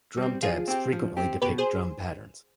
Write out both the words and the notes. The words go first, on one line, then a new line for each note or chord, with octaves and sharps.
Drum tabs frequenctly depict drum patterns.
G3
C4
F3 F4 G#4
C4 G4
F3
C4 G4
B2 G4 B4
G#4 C5